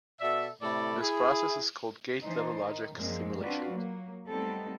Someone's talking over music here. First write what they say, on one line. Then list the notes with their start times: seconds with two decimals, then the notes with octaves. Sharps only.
This process is called gate level logic simulation.
0.21 B2 F#4 A4 D5 E5
0.62 A2 C3 A3 A4 D5 B5
1.01 E4 G#4
2.23 E3 D4 D#4 C5
2.61 D#3 D#4
2.95 F#2 A#2 F3 G#3 C4
3.41 C4 D4 F4 F#4 B4 D5
3.70 F#3 A#3
4.28 G3 A3 B3 C4 D#4 A4